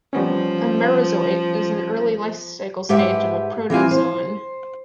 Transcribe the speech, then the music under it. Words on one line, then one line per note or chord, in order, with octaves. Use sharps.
A merozoite is an early lifecycle stage of a protozoan.
F3 G3 B3 C#4
G#2 G4 B4 E5 F#5
E3 C4 F4 G#5
C5